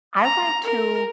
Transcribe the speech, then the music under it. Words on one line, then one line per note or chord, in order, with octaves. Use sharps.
I went to
A#5
A#4